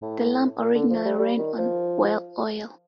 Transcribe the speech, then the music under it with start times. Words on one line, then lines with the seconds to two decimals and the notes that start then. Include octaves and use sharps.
The lamp originally ran on whale oil.
0.02 A2
0.60 A#2
0.75 D3
0.90 F3
1.05 G3
1.19 G3
1.38 D#3
1.58 F3